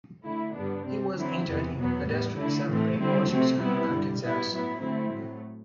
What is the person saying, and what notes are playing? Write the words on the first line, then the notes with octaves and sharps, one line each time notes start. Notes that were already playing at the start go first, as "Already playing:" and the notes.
He was interred in the Presbyterian Cemetery, Washington, Arkansas.
D3 A3 E4
G2 D3 G3 B3 D4
C3 G3 C4
D3 F#3 C4 E4
E2 C3 E3 B3
E2 B2 F#3 B3
A2 G3 B3
D3 A3 E4
A2 E3 A3 C4
D3 G3 C4 E4
C3 F#3 A3 C4
C3 G3 B3 E4
G2 D3 G3
B2 G3 B3 E4
A2 F#3 B3 E4
D3 F#3 A3 C4 E4
A2 F#3 A3